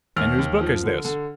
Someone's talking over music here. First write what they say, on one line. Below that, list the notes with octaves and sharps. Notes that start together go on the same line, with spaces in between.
"And whose book is this?"
D#2 F6
D#2
F3
D3
D3